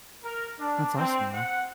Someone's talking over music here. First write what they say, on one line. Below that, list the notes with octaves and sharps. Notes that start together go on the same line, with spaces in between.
That's awesome though.
A#4
D4
C4
F#5